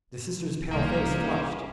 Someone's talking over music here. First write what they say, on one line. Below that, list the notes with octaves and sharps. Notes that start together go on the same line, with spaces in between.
The sister's pale face flushed.
C2 C3 G3 A#3 C#4 G4 G#4